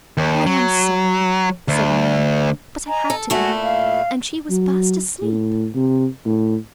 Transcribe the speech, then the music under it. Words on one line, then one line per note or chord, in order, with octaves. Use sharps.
"I am sorry," said Mary; "but I had to go, and she was fast asleep."
D#2
F#3
D2
D#5 G#5 A#5
A4
A#2 A3 E4 F#4 F#5 G#5
F5
F#3
A2
C3
A2